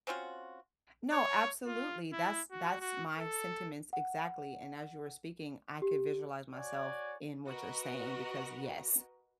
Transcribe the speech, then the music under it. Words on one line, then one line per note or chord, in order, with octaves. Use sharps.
No, absolutely. That's that's my sentiments exactly. And as you were speaking, I could visualize myself in what you're saying because, yes,
C4 C#4 F4 F#4
C#5
F4
E4
F#4
F#4
A4
F#5
G4
F#4 C#5 D5 G#5
F#4 A#4 B4 D#5